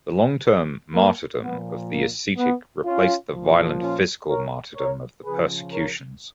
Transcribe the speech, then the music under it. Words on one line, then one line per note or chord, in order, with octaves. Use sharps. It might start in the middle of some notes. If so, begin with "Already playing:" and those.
The long-term "martyrdom" of the ascetic replaced the violent physical martyrdom of the persecutions.
A#3
A#2 F3 B3
A#3
B3
C#4 F4
A#2 F3
C#4 F4
A#4 C#5
A#4 C#5
C#3 F3 G#4 B4
A#4 C#5